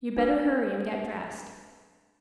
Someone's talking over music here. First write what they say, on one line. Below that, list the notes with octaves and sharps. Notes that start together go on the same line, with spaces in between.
'You'd better hurry and get dressed.
D4 B4